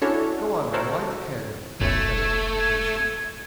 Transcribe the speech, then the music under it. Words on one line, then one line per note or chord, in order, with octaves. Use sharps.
"Go on, man, light the candle!" said Kennedy impatiently.
C#4 D4 E4 F#4 A4 C#5
F#4 A4 A#4 C5
F1 B1 F#2 A3 G#6